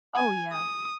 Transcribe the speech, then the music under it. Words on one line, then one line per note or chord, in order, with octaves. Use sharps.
Oh, yeah.
G#5
D#6